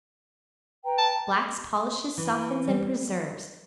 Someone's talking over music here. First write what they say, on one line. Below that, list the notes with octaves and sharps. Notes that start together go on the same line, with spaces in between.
Blacks, polishes, softens and preserves.
B4 G5 A#5
A5
E3
G3